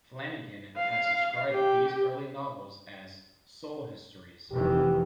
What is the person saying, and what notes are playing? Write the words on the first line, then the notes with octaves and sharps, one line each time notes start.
Flanagan has described these early novels as 'soul histories'.
F5
G4
F1 D#3 E3 G4